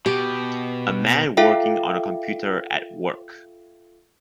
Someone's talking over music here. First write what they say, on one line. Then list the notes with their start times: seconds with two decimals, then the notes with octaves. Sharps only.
A man working on a computer at work.
0.06 B2 G4
1.37 F4 A4 E5 F5 G5